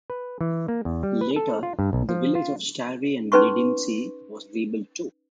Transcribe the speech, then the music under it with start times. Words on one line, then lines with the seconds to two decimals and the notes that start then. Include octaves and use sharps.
Later, the village of Stari Ledinci was rebuilt too.
0.10 B4
0.41 E3
0.68 A#3
0.85 E2
1.03 G3
1.21 B4
1.36 A4
1.63 F4
1.79 G2
1.93 B1
2.09 F3
2.35 F4
3.32 C#4 D#4 B4 C6 C#6